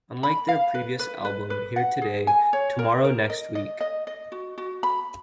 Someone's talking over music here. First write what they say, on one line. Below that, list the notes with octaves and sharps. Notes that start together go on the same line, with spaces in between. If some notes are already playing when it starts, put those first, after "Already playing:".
Unlike their previous album, Here Today, Tomorrow Next Week!
B5
F5
B4
B4
B4
B4
F#5
G#4
G#5
C#5
A#4
A#4
D#5
D#5
D#5
D#5
F#4
F#4
B5